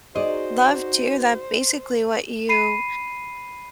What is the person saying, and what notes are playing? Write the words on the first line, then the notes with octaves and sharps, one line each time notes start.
love too that basically what you
D#4 F#4 G#4 C5 D5 D#5
B5 C7 D#7